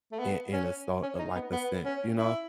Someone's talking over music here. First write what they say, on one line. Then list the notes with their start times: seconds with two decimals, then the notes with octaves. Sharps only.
in in a so or like a saint, you know?
0.12 A3
0.19 B3
0.53 C#4
1.03 C#4
1.19 D#4
1.36 B3
1.52 B3
1.85 C#4
2.17 E4